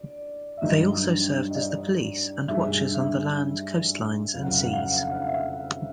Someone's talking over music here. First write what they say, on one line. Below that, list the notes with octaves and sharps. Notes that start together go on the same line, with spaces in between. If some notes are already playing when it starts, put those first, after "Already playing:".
They also served as the police and watchers on the land, coastlines and seas.
Already playing: D5
E5
G2 D#3 F#3 D#5
D#5
D5
G2 D#3 G#3 E5
E5
F2 C#3 F#3 F5
F#5
F5
F#5
F5
F#5
F5
F#5
F5
E5